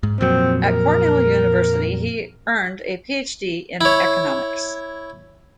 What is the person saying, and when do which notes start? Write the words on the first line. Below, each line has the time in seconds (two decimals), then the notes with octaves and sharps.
At Cornell University he earned a Ph.D. in economics.
0.03 G#2
0.21 F2 A#2 F#3 C4
0.64 A#4
3.81 E4 C#5